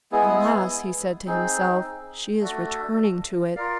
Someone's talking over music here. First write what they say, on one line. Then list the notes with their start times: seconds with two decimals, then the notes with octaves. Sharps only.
"Alas!" he said to himself, "she is returning to it."
0.12 G#3 B3 E4 G#4
1.27 C4 D#4 G#4
2.41 A3 D4 F#4 A4
3.56 F4 A#4 D5 F5